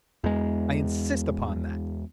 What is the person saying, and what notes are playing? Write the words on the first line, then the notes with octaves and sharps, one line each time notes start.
I insist upon that.
E2 G#3